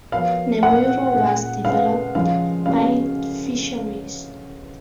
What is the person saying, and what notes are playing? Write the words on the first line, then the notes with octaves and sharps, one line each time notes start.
Nemuro was developed by fisheries.
F3 B3 F#4 A#4 C#5 F5
A#2 F#3 C#4 F#5
A#2 G#3 C#4 G#4
C#3 G#3 C#4 G#4 B4 F5
C#3 F3 G#3 F5
C#3 G#3 C#4 F#4 F5